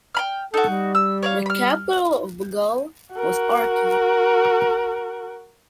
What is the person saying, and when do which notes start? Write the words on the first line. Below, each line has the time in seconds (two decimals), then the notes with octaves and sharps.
The capital of Baghal was Arki.
0.15 G5 B5 F6
0.54 D#4 F#4 A4
0.69 G3
0.95 E6
1.23 C#5 D5 F5
1.46 B5 F6
3.13 F#4 A#4